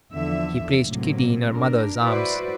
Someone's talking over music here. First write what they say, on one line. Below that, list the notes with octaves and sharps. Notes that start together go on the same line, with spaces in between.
He placed Kitty in her mother's arms.
E2 D3 F3 E5
A2 C3 F#3 A#3
D4 A#4
E4 F#4 B4 C5 D5